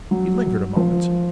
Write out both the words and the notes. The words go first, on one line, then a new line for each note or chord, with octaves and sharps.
He lingered a moment.
F#3
F3